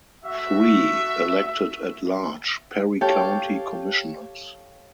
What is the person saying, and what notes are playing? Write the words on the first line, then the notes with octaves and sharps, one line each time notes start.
Three, elected at large, Perry County Commissioners.
A3 F#4 E5
G4 A4 C#5 F5 G5 A5